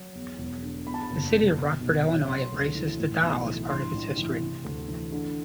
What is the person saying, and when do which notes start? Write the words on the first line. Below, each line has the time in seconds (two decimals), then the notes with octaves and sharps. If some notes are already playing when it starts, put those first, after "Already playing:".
The city of Rockford, Illinois embraces the doll as part of its history.
Already playing: F#3
0.15 E2
0.38 E1
0.62 D3
0.86 E2 B5
0.94 A5
1.03 B5
1.10 F#1
1.33 C3
1.57 B2
1.80 B1
2.05 F#3
2.28 C3 C6
2.52 D2
2.75 E3
2.99 A2
3.23 B1
3.46 E3
3.70 G2 C6
3.94 A1
4.17 E3
4.40 C3
4.64 D2
4.88 E3
5.12 D3